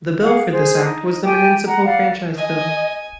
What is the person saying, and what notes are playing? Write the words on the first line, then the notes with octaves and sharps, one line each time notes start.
The Bill for this Act was the Municipal Franchise Bill.
G#4 F5 F#5
G#4 C5
D#4
G4 G5 G#5 D6
F#5 A#5
D5 F5 F#5
D#5 G#5